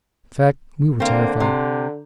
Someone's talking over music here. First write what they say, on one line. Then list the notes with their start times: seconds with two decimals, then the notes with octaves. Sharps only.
In fact, we were terrified.
1.00 D3 A#3 C4
1.40 C3